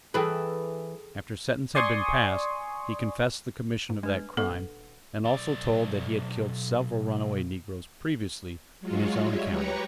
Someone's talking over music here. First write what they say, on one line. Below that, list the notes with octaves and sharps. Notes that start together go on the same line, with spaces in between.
After sentence had been passed, he confessed the commission of that crime, and also told that he had killed several runaway negroes previously in his own county.
E3 G#4 A4 B4 G5
D5 G#5 C6 C#6 D#6
G#2
G#3 D4 B4
B3 A4 F#5
D#1
B1 D5
F#3 G#3 F4 F#4
G3 G#3 C#5 E5
G4 B4 C#5 A#5 C#6